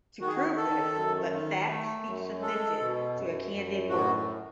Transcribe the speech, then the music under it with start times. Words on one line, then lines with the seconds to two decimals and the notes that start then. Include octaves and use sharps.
To prove this, let Facts be submitted to a candid world.
0.21 D#3 F#4
0.28 G#4
0.36 F#4
0.57 D#3 A4
0.94 F#2
1.31 D#3
1.68 A3
2.05 F#2
2.41 G#3 A4
2.79 B2
3.15 F#2
3.53 F#2
3.89 A2 F#4